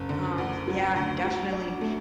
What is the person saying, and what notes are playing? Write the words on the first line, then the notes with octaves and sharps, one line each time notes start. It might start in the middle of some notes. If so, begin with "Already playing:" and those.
Um, yeah, definitely.
Already playing: F#1
D3
D2
F#3
D2
F#3
D4
A3